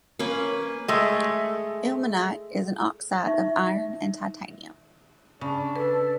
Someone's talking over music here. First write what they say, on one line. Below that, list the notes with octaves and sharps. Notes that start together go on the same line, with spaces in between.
Ilmenite is an oxide of iron and titanium.
A#3 C#4 B4
G#3 A3
D#4 E5 C#6
C#3 D4
A4 B4